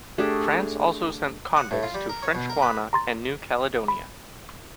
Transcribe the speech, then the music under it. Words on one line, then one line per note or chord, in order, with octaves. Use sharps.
France also sent convicts to French Guiana and New Caledonia.
A3 D4 G4 G#4
F#5
A2
F4
G3
A#4
C#5
B2
A#4
B4
A#5 C6 A6
B5